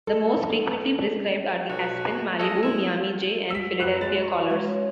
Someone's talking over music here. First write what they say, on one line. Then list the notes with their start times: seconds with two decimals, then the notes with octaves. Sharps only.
The most frequently prescribed are the Aspen, Malibu, Miami J, and Philadelphia collars.
0.07 A4
1.70 B1 F#4
2.39 G#3 A4 D#5
2.63 E4 E5
3.50 E6 B6
3.79 F#2 F#3 F#4 G4 B4 F#6
4.01 G#3 F#4 B5 F#6 A6
4.20 A#5 C#6
4.50 G#3 C#4 F4